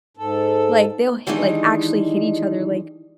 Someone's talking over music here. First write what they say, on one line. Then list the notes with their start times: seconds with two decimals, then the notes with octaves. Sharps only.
like, they'll hit like, actually hit each other, like
0.17 G#2 A4
1.27 D#3 E3 G3 G#3 D4 D#4